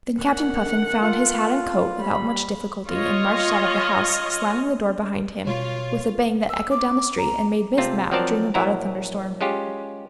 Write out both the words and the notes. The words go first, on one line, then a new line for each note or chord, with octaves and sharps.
Then Captain Puffin found his hat and coat without much difficulty, and marched out of the house, slamming the door behind him with a bang that echoed down the street and made Miss Mapp dream about a thunderstorm.
D#3 F#5
F4
G3 B5
F4 C#5 D#5
B2 F4 C#5
E6
D6
A#5
C3 A3 C4 F4
F3 F#3 C4 A#4 D5 A5
A#1 F#3 E4 A#5
G#3 C#4 F4 G4